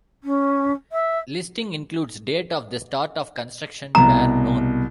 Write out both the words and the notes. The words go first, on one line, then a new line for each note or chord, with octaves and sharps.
Listing includes date of the start of construction where known.
C#4
E5
C2 B2 A#5